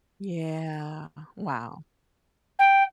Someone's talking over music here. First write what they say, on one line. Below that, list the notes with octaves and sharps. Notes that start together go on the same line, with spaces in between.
Yeah, wow.
G5